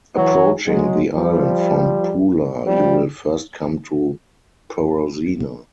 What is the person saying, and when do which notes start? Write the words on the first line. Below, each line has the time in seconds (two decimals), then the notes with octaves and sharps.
Approaching the island from Pula, you will first come to Porozina.
0.16 E3 F#3
0.66 F#3 G#3
1.16 F3 G3
2.65 F3 G3